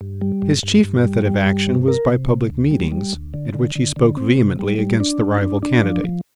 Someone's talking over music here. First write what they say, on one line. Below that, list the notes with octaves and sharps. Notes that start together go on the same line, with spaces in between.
His chief method of action was by public meetings at which he spoke vehemently against the rival candidate.
G2
G3
G2
G2
G2
G3
G3
G2
C3
A#4
C3
C3
D2
G3
G3
D2
D3
D3
D3
D3
C4
C3
G3
G3
D4
G2
D4
D4
F3
F3